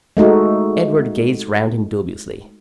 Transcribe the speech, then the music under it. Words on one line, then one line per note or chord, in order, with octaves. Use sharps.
Edward gazed around him dubiously.
G#3 A3 D#4 F#4